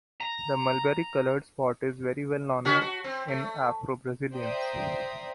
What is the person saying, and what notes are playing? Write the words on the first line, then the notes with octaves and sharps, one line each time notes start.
The mulberry colored spot is very well known in Afro-Brazilians.
A#5
C#3 C#4 F#4
F#4
C4
A3
C5 D5 E5 G5 A#5 D#6